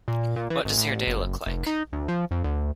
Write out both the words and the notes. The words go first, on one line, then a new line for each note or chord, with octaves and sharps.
What does your day look like?
A#2
A#2
E3
G#1
A1
F#1
F1
D#4
D2
F3
F2
D2